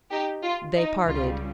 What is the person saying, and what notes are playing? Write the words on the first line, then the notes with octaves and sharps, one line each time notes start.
They parted.
D#4 G4
F4
D#4
C#2 C#3 G3 F4